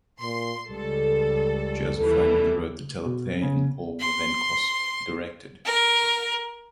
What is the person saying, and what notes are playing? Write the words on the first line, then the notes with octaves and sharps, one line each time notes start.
Joseph Landon wrote the teleplay and Paul Wendkos directed.
A#2 C6
C#2 G3 A4
D#2 E3 G3 A4
B2
C#3
C6
A#4